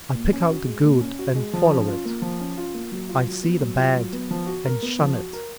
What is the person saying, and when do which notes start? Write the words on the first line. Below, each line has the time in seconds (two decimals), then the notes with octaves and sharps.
I pick out the good and follow it; I see the bad and shun it.
0.15 A#2
0.33 C#4
0.50 F#4
0.67 G#3
0.84 A#2
1.01 C#4
1.19 F#4
1.35 G#3
1.53 F3
1.70 C#4
1.88 F4
2.05 A#3
2.22 F3
2.40 C#4
2.57 F4
2.74 A#3
2.92 F#3
3.09 F4
3.27 F#3
3.43 B3
3.60 F#3
3.78 F4
3.96 F#3
4.13 B3
4.31 F3
4.47 F#4
4.65 A#4
4.82 B3
4.99 F3
5.17 F#4
5.33 A#4